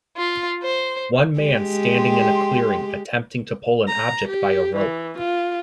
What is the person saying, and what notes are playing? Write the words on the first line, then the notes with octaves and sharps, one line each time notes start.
One man standing in a clearing attempting to pull an object by a rope.
F4
C5
G#3 G4
G5 C6
A#5
G4
E3
F4